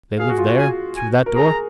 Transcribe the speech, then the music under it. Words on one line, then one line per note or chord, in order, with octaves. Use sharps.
"They live there, through that door?"
G#4 F5
F#4
F4
F#4
G#5
G#5
A#4
G#4 A#5